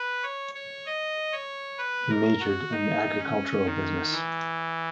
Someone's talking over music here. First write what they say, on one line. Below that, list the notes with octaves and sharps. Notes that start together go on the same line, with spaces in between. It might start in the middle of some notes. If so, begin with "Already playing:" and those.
He majored in agricultural business.
Already playing: B4
C#5
C#5
D#5
C#5
B4
A#4
F#4
D#4
C#4
D#3
E3